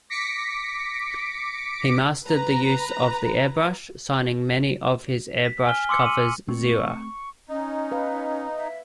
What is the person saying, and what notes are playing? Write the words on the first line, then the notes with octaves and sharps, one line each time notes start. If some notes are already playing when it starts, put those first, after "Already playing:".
He mastered the use of the airbrush, signing many of his airbrushed covers "Xela".
D6 A#6 B6 C#7 D7
B4 A#5
B6
G#5 F6 G7
C6 D6 E6 C#7
D#7 F#7
A3 C4 C#6
C#4 D#4
B4 F5
E5